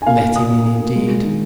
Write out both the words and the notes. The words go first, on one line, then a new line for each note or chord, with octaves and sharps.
Let him in, indeed!
G#5
A#3 F5
A#3 G#5
A#2 D#6
A#2
A#3
A#3
G#3
G#3
D#3